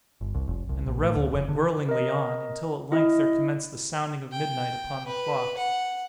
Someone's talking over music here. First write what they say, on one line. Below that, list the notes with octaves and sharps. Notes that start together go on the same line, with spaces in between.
And the revel went whirlingly on, until at length there commenced the sounding of midnight upon the clock.
G1
C2
F1
C2
A#1
A2
D2
F1
D3
A#4 D#5
E4 D#5
G5
B4
F#5